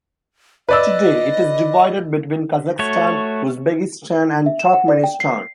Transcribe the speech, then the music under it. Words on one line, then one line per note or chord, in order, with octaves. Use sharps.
Today it is divided between Kazakhstan, Uzbekistan and Turkmenistan.
B4 D5 D#5 E6
A3 F#4 C#5
E5
E7
F#5
D5
G5
C7